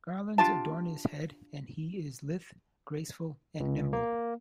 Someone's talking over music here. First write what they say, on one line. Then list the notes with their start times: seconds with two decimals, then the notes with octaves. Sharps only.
Garlands adorn his head, and he is lithe, graceful, and nimble.
0.38 D4 F4 G4 A5
3.60 C#2
3.93 A#3